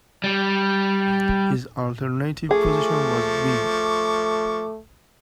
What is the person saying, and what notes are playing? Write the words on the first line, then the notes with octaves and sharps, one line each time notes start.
His alternative position was wing.
G3
F3 A3 G#4 C#6 D6